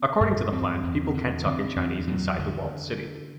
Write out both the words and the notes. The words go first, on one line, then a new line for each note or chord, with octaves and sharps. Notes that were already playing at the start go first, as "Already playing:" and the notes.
"According to the plan, people can't talk in Chinese inside the walled-city".
Already playing: B3
G2
E2 C4
E2
D3
D3 C4
E2 C4
E2 F#3
E2 D3